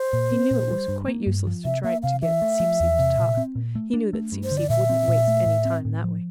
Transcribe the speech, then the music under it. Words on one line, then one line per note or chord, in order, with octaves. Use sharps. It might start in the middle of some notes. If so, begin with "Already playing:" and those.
He knew it was quite useless to try to get Seep-Seep to talk, He knew that Seep-Seep wouldn't waste any time that way.
Already playing: C5
A#2
C4
A#2
G3
G2
A#3
G2
F3
C3 E5
A#3 E5
C3 F5
E3 E5
A3
F3
E2
C3
A#2
C4
A#2
A3
D4
A3
G2
C5
D3
D5
A#2 E5
C4
A#2
A3
A2
C4
A2
F3